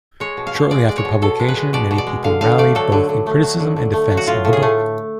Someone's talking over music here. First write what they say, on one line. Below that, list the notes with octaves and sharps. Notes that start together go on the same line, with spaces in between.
Shortly after publication, many people rallied both in criticism and defense of the book.
G#3 C#5
B2
F5
B2
G#3 D5
G#3 D5
C#5
B2
B2 A4
G#3
B4
G#3
B2 D5
B2
D5
G#3
D3 F5
D3 F5
A3 D5
F#3 A4
D3
D3
A3
F#3
D3
D3
A3
F#3
F#4
A2 F4
A2
G#4
A3